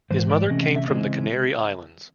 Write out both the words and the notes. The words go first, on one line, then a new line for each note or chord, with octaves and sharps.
His mother came from the Canary Islands.
G#2 E3 C5
D5
C3 E3 A3 C#4 D#5
D#5
E5
C#3 E3 G#3 C4 D#5